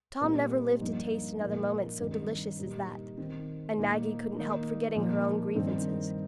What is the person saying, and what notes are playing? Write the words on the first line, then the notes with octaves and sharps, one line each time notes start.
Tom never lived to taste another moment so delicious as that; and Maggie couldn't help forgetting her own grievances.
A#2 G3 C4 D#4
G2 F3 A#3 D#4
A#2 F3 A#3 D#4
G2 D#3 C4 D#4
A#2 G3 D#4
D#3 C4 D#4
A#2 A#3 D#4
D#3 A#3 D#4
A#2 F3 A#3 D#4
G2 D#3 C4 D#4